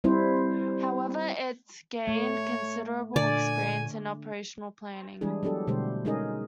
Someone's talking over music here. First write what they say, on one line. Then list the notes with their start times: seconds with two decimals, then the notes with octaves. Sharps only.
However, it gained considerable experience in operational planning.
0.04 G3 C4 E4 C5
2.07 A3 C#5
3.16 A#2 D3 D5 G#5
5.21 E3 G3 G#3 D4 E4 G#4
5.43 F#3 B3 D4 G4 A4
5.67 B2 D3 G3 A3 G4 C5
6.05 G#3 C#4 D#4 G#4 A#4 D#5